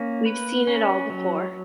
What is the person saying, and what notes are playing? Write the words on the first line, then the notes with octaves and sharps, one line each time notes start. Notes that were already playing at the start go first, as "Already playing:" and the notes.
We've seen it all before.
Already playing: A#3 C#4
B4
C#4
F#3